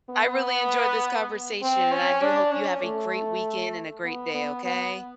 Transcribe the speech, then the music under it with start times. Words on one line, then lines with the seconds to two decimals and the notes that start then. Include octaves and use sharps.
I really enjoyed this conversation, and I do hope you have a great weekend and a great day, okay?
0.10 B3
1.62 C4
1.92 C#4
2.22 D4
2.52 C#4
2.83 A3
4.04 B3
4.34 B3
4.64 B3